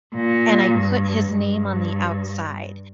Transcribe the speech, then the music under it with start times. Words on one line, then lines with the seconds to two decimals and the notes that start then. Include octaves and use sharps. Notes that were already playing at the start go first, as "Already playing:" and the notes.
and I put his name on the outside,
0.15 A#2
0.75 G2
1.34 G2